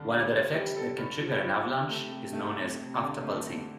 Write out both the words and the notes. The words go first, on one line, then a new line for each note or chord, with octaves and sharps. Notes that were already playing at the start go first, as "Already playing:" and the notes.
One other effect that can trigger an avalanche is known as afterpulsing.
Already playing: G2 D3
G3
C5
G3
A4
G2
F3
F3
C3
A3
C3
A3
F2
C3
D3
A3
F2